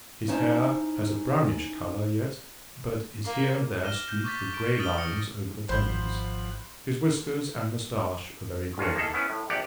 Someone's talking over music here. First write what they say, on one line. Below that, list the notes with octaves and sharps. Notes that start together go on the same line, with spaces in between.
His hair has a brownish colour yet, but is here and there streaked with grey lines over the temples; his whiskers and moustache are very grey.
C#4 D#4 E4 C5 A5
A#3
D6 F6 A#6 D#7 E7 G7
G6
C#6 D6 G6 A6 B6
D7
D#6 F6 A6 D#7 F#7 G7
D#6 A#6 C#7
G#1 F3 C5 F#5 B5 G6
D2 C#4 F4 F#4
A#3 D#4 G#4 A4 E5
B3 C#4 E4
A2
A#1 G4 D5 F#5